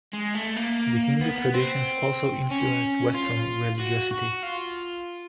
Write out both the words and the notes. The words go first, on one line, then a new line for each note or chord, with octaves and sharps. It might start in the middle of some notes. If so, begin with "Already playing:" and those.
The Hindu traditions also influenced western religiosity.
G#3
A3
A#3
B3
C4
C#4
F4
F#4
F#4
F4